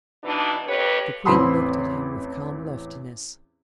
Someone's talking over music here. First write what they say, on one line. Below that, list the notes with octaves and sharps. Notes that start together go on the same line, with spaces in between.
The queen looked at him with calm loftiness.
B2 E3 D4 D#4
F2 G4 B4 C#5
A1 E2 C4 B5 C6 D#6